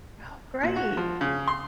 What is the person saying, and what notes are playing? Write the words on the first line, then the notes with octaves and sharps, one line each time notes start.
Oh, great.
A#2
F#4
F3
C#3
C6